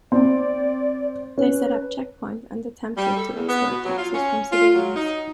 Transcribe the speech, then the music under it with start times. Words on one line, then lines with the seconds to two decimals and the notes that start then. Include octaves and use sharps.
They set up checkpoints, and attempted to extort "taxes" from civilians.
0.12 C4 D5
1.38 C#4 B4
2.97 G3
3.17 A4
3.35 E2
3.49 B3
3.70 B2
3.84 F#3
3.98 F4
4.13 C#4
4.51 F4
4.75 F#3
4.95 D#4